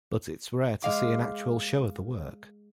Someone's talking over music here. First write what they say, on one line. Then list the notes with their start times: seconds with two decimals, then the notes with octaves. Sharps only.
But it's rare to see an actual show of the work.
0.82 G#3 F5 D6